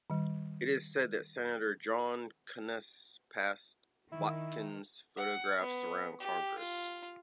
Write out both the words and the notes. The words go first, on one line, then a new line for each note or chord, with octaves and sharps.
It is said that Senator John Conness passed Watkins' photographs around Congress.
D#3 G3
D#3 E4
F#5
B3
G4
F4